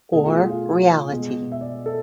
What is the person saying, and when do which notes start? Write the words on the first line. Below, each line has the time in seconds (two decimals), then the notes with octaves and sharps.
Or reality.
0.13 B2 A3 G#4
0.24 F4
0.37 G#4
0.50 F4
1.12 B2 G#3 G#4
1.52 E5
1.61 D5
1.86 A4